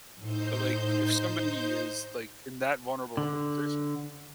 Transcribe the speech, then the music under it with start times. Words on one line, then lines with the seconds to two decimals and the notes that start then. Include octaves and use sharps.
but like if somebody is like in that vulnerable of a position
0.19 A2 D#4 C5 G6
3.17 D3